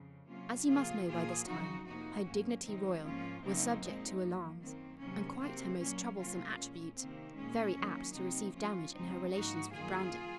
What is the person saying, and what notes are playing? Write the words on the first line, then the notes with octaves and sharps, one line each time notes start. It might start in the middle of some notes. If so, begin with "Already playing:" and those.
As you must know by this time, her "dignity royal" was subject to alarms, and quite her most troublesome attribute--very apt to receive damage in her relations with Brandon.
Already playing: F2 C#3
C3 F#3 A#3 C#4 F4
C3 F3 A#3 F4 G#4
A#2 F3 A#3 F4 G#4
F2 C#3 F#3 D#4 F#4
F2 C3 F3 A#3 D#4 F#4
G#2 F#3 A#3 C#4
F2 C3 D#3 G#3 C4 D#4
G#2 F3 A#3 C#4 F4
F2 C#3 F#3 A#3 C4 D#4
A#2 G#3 C4 D#4
F#2 F3 A#3
F#2 D#3 A#3 C4
C3 D#3 F#3 A#3 C#4
C3 F#3 A#3 C4
A#2 F#3 A#3 C#4
C3 F#3 A#3 C#4 F4
A#2 G#3 C#4
C3 D#3 A#3 C4
A#2 G#3 C#4
F#2 D#3 F#3 A#3
C3 F#3 A#3 C4 D#4
F#2 F3 A#3 C#4 F4
F2 C#3 F3 G#3 C4 D#4
G#2 F3 A#3 D#4 F#4
F#2 D#3 A#3 F4 G#4